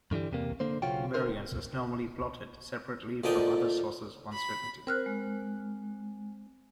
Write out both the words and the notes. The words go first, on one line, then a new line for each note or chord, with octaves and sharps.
Variance is normally plotted separately from other sources of uncertainty.
G2 D3 E3 G3
E2 C3 A#3
D3 A#3 C5
B1 C#3 C#4 F4 F#4 G5
D3 A#4 C5
D2 A#2 D3 D#4 G5 D#6
B5
C4 A#4 C5 F6 F#6
G#3